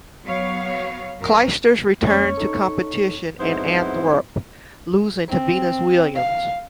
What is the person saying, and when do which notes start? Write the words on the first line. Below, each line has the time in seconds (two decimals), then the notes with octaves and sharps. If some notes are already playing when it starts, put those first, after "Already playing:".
Clijsters returned to competition in Antwerp, losing to Venus Williams.
0.24 F#3 B3 C#5 F5
1.19 F#2 A#4
2.06 F2 G#3 A#3 C#4 C#5
2.37 D#4 A4
3.39 F2 G#2 F#3 B3 E4 C5
5.28 C4
6.15 F5